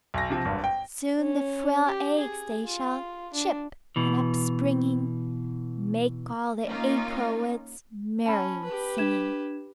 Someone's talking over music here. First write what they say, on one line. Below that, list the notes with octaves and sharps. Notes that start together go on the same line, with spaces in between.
Soon the frail eggs they shall Chip, and upspringing Make all the April woods Merry with singing.
B1 A#6
C3 F3
G#1 G2
G5
C#4
G4
G#4
F4
D4
B2 E3
A#3 C#4 D#4 F4
C#4 A5 B5
G4 B4
D4 G#6 E7